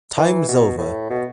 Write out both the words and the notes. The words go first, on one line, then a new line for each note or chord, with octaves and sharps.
Time's over!
E3
B2
A2
B2